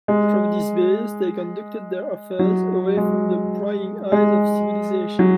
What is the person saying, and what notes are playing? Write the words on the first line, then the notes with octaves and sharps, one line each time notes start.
From this base, they conducted their affairs away from the prying eyes of civilization.
G#3
F#3
G#3
G#3
F#3